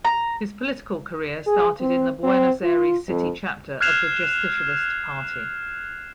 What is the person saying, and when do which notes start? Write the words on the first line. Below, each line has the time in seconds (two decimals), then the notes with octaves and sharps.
His political career started in the Buenos Aires City chapter of the Justicialist Party.
0.05 A#5
1.47 G#4
1.80 C4
2.24 C4
2.63 F4
3.08 F2
3.81 F6 F#6 G#6 C7 E7 F7